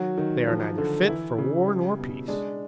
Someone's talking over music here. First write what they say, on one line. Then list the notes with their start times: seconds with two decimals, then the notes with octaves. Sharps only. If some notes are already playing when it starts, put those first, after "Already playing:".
They are neither fit for war nor peace!
Already playing: D#3 F#3 F#4
0.17 D#3
0.47 F3
0.78 D3
1.08 E3 E4
1.38 C#3
1.68 G3
1.98 B2
2.28 G#3 D4